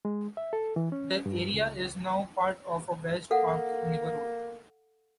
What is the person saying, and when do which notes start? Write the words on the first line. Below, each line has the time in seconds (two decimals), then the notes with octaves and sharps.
The area is now part of a West Park neighborhood.
0.05 G#3
0.37 E5
0.53 A4
0.76 E3
0.92 C#4
1.26 G2
1.54 C#2
3.31 A#3 A4 F5 F#5